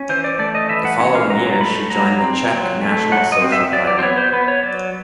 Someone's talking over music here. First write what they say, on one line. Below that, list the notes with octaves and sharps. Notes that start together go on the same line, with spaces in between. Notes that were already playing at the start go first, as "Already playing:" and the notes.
The following year she joined the Czech National Social Party.
Already playing: C#4
E3 C5
D5
A3 D5
D#5
E3 E5
F#5
C#4 F#5
F5
F#3 A#5
A3 B5
F#3 A#5
C4
F#3
A3
F#3 F#5
D#5
C4
E5
F#3 D5
D5
C5
B3 C#5
C5
B3 B4
C#5
F#3 D5